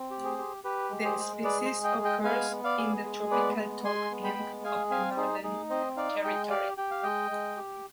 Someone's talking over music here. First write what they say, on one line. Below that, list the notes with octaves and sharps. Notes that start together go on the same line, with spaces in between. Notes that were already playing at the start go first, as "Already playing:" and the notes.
The species occurs in the tropical Top End of the Northern Territory.
Already playing: C4
G4
G#4 C5
G4
G4 B4
G#3
G#4 C5
G#3
G#4 B4 D5
C5 D#5
G#3
D#5 G5
G#3
D#5 G5
B3 F5 G#5
B3
D5 F5
G#4
G#3
B3 B4 D5
G#3
G#3 G#5 C6
B3
G5 B5
G#3
G#4 F5 G#5
C4 F5 G#5
D#4 G#4 C5
D#4 G#4
C4 C5 D#5
D#4 D5 F5
G#3 D#5 G5
G4 D5 F5
G4 G5
F5
G#3 D#5 G5
G#3
G4